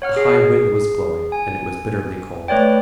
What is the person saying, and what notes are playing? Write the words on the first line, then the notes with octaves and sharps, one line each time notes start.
A high wind was blowing and it was bitterly cold.
C#5 F#5 F6
G#4 C7
G#5
A3 B4 C#5 D5 G5